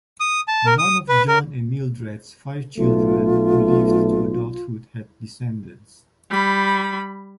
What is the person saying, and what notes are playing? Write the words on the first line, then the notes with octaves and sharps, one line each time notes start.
None of John and Mildred's five children who lived to adulthood had descendants.
D#6
A5
A#4
D#6
B4
A#4
B1 A3 F4
G3 B5